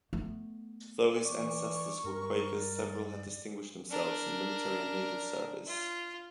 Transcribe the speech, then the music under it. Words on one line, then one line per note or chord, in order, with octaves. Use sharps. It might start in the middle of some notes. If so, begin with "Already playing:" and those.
Though his ancestors were Quakers, several had distinguished themselves in military and naval service.
A3 B3
E3 D5 C#6
G2 A#4
D5
D4 A#4
F4